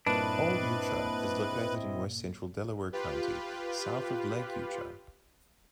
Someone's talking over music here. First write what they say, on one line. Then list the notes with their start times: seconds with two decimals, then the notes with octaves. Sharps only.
Old Eucha is located in west-central Delaware County, south of Lake Eucha.
0.07 G2 A#2 A#3 C4 D4 E4 B4 D#5
2.93 F4 G4 B4